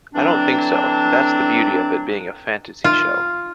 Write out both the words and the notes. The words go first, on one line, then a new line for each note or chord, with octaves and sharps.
I don't think so...That's the beauty of it being a fantasy show.
D3 E3 F#3 C4 D4
F4